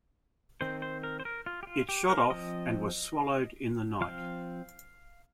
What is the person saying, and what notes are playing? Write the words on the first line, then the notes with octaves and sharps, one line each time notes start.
It shot off and was swallowed in the night.
D#3 C4 C5
C5
A#4
C5
A#4
F4
G4
F4
G4
A#4
F3 C4 D#5
F3 C4 F5